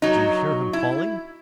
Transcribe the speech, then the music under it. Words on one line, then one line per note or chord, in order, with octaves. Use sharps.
Do you hear him calling?
F#3 D#4
E4